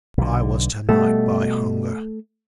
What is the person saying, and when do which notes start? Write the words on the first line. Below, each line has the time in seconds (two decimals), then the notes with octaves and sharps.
I was to-night, by hunger.
0.17 B1 D3
0.89 B2 G3 A3